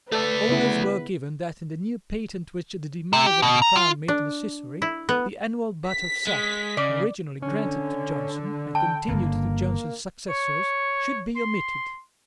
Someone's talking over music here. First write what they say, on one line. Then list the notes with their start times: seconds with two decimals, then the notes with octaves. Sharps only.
Orders were given that, in the new patent which the demise of the crown made necessary, the annual butt of sack, originally granted to Jonson, and continued to Jonson's successors, should be omitted.
0.12 A3 A4 B4 D5
0.49 C#3 B3 E4
3.13 C3
3.26 G4
3.42 B2
3.62 A#5
3.76 F4
4.08 D4
4.82 E4
5.09 B3
5.89 B6
6.27 G#3
6.77 C#3 D5
7.42 D3 C#4
8.75 G5 A5
9.08 G1 C#3 A#3
10.29 C#5
11.36 C6